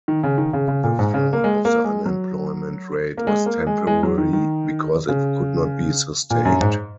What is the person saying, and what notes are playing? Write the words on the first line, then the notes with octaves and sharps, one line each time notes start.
The fall of the unemployment rate was temporary because it could not be sustained.
D#3
C#3
D#3
C#3
C#3
A#2
G#2
C#3
A#3
G#3
A#3
G#3
F#3
A#3
G#3
A#3
G#3
G#3
F#3
D#3
D#3
C#3
A#2
F#2
G#2